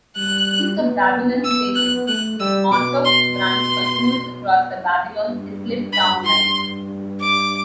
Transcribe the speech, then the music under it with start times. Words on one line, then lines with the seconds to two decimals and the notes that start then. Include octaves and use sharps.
East of Babylon station, the Montauk Branch continues across the Babylon-Islip Town Line.
0.16 G3 F#6
0.80 B3
1.44 E6
1.76 F#6
2.08 A3 F#6
2.40 G3 E6
2.72 B2 D6
3.05 C6
3.36 C6
5.29 G2
5.93 G2 B5
6.25 C6
7.20 D6